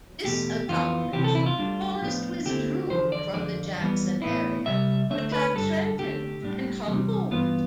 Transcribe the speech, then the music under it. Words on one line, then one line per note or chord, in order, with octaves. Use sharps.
This accomplished, Forrest withdrew from the Jackson area to attack Trenton and Humboldt.
E2 B2 A3 G4
F2 E3 B3 F4
D2 C3 E3 G4
A4
E4
F4
D2 D3 G3 D4
A2 F3 B3 D4
D2 D3 A3 C4 E4 G4
E2 D3 F3 C5
D5
F2 D3 F3 D5
F2 E3 G3 B3
A2 E3 B3 E4
C2 C3 G3 E5
D2 D3 A3 E5
B4
G2 D3 G3 A4
D2 D3 A3 G4
A2 G3 D4
E2 C3 G3
G2 E3 B3 F4